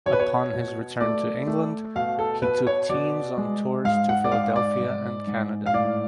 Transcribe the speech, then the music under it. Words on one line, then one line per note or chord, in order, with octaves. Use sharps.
Upon his return to England he took teams on tours to Philadelphia and Canada.
B2 C#5
B4
C#5
B2
A3 D5
A3
B2 F5
A4
B2 B4
C#5
B2 D5
G#3
G#2 F5
F#5
D5
G#2 F5
D5
G#2
G#2
F5
A2 D5